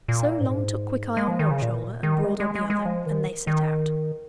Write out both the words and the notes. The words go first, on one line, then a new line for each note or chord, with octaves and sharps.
So Long took Quickeye on one shoulder, and Broad on the other, and they set out.
A#2
G#2
G#3
F3
D#3
C#3
A#2
D#3
G#3
G#3
G#3
G#3
F3
D#3
D#3